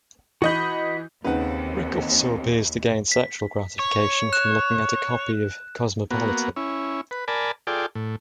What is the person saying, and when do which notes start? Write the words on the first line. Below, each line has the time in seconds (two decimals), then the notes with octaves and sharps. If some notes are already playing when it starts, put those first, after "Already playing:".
Rik also appears to gain sexual gratification from looking at a copy of "Cosmopolitan".
0.42 E3 F#4 D#5 B5 G6
1.25 D#2 C#3 A#3 C4 D#4 B4 F#5
3.12 B6
3.79 C#5
4.33 F#6 E7
6.11 A#3 B3 F#4
6.56 C#4 E4
7.11 B4
7.28 A#4 D5 G#5 A5 B5
7.67 F4 G#4 A4 D5 G5
7.95 A2